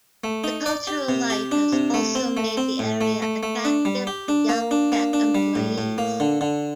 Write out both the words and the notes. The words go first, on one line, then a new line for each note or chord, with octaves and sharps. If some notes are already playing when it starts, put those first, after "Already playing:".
The cultural life has also made the area attractive to young tech employees.
A3
D#4
D5
G4
C3
G4
D4
C3
A3
C4
A3
C4
A2
A3
A3
A3
D4
G3
G4
D4
A#3
D4
A#3
D4
G3
A2
A2
A#3
D3
D3